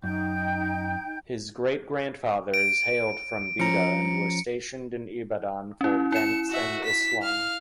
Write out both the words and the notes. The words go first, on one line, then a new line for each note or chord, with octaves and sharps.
His great grandfathers hailed from Bida and were stationed in Ibadan for advancing Islam.
F#2 D#4 G5 G6
D7
F3 C#4 A#5 C#7
C#4 E4
E4 C#7 E7
F#4 E5
B6
F5 F6